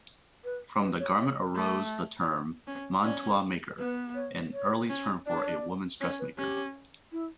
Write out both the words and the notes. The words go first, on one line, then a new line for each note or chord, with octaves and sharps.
From this garment arose the term "mantua-maker", an early term for a women's dressmaker.
B4
B4
C#5
C#5
A3
C#4
C#4 D5
B3 B4
C#5
C#5
C#4
D4 D5
C#5
D5
C#4 C#5
B4
C#4 G4
E4